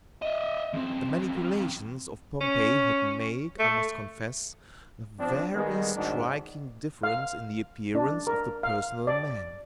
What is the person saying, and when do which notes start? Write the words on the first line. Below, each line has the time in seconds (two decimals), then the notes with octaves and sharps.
The manipulations of Pompey had made, I must confess, a very striking difference in the appearance of the personal man.
0.22 D#5 E5
0.73 E2 C4
2.41 C#4
3.59 A3
5.19 F3 C4 D4
5.54 D#3 G3 G#3 B3
5.96 D#2 G#2 D#3 D4 F#4
7.03 F5
7.95 D4
8.27 A#4
8.63 F5
9.07 D5